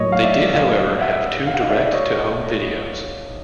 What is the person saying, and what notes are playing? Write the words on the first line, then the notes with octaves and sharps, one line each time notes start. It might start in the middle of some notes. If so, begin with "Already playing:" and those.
They did however have two direct to home videos.
Already playing: A2 F#3 A#3 C#5 D#5
F5
D5 E5
D#5 F5
E5 F#5
F5
F#5
D#5 F5
D5 E5
C#5 D#5